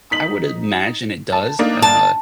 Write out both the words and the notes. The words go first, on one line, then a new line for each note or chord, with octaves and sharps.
I would imagine it does, uh,
D#4 B6 F#7
A5
A#3 D4 D#4
A5